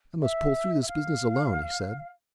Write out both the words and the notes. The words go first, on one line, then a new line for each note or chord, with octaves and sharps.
I must pull through this business alone,' he said.
E5
E5
F5